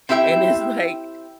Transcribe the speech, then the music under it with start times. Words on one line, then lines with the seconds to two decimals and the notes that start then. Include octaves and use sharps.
and it's like,
0.09 C4 E4 G4 E5 G5